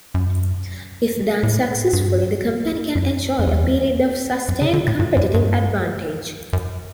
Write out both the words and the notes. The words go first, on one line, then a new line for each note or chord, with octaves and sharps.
If done successfully, the company can enjoy a period of sustained competitive advantage.
F#2
A2
G2
F#2
F#2
E2
F#2
C#3
D3
A2
G2
F#2
G2
F#2